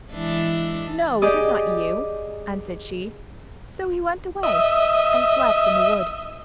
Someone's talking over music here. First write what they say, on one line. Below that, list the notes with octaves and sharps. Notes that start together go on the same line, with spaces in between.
'No, it is not you,' answered she, so he went away and slept in the wood.
E3 G#3 D4
G4 G#4 D5 D#5
D#5 E5